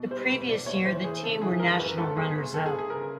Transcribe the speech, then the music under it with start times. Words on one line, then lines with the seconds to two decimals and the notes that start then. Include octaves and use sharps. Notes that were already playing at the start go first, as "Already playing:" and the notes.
The previous year the team were national runners-up.
Already playing: B2
0.11 G3 C5
0.29 E1 B4
0.49 E1 D5
0.66 D#2 C#5
0.85 E3 C5
1.04 E3 G#4
1.23 C#3 A4
1.42 E3 G#4
1.60 G#1 A#4
1.79 F#2 B4
1.98 G#1 A4
2.16 G1 G#4
2.35 G1
2.54 G1 A4
2.66 G#4
2.72 G1
2.78 G#4
2.90 C#3 A#4